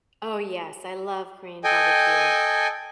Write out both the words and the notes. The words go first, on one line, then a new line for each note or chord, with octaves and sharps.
Oh, yes, I love Korean barbecue.
A4 D#5 G5 G#5